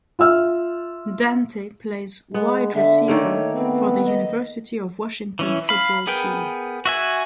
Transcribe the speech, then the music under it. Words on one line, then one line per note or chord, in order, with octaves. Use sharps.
Dante plays wide receiver for the University of Washington football team.
F4 E5 E6 F6
G#3 B3
D3 E5
D#3 A3 A#3 C#5
B3 C4
D#5
E3 C#4 E4
F5 B5
B3 G#4 A#4 B4 G5
F#4 E5 G#5